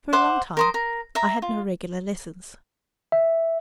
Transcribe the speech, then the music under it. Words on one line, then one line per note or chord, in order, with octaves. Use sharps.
For a long time I had no regular lessons.
C5 E5 F#5 D6
A#4 C5 D#6
A#4
E5 A#5
F4
E5